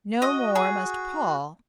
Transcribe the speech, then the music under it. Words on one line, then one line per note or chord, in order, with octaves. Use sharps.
No more must Paul.
F#4 D#5
G#4